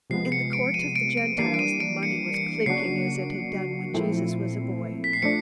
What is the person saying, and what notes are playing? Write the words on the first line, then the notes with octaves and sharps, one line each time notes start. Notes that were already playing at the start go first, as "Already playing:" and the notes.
In the Court of the Gentiles the money was clinking as it had done when Jesus was a boy.
C3 F3 G#3 B3 C7
C#7
D7
D#7
D7
D7
E3 G3 A#3 D4 C7
D7
D#7
D7
C#7
C#7
C#3 F#3 A#3 D4 F#4 C7
A#2 F3 A3 C4 E4
B6
C7
F3 A3 D4 C#7